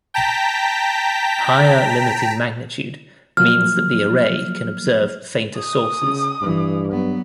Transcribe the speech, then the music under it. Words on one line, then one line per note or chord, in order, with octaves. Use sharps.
Higher limiting magnitude means that the array can observe fainter sources.
G5 A5 A#5 B6
F3 F#3 A#3 F6
D#6
C#3
G2 E3
F#3 B3